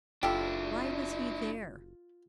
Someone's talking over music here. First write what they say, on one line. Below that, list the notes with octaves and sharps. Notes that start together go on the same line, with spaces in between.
Why was he there?
F#1 D4 E4 F4 G4 A4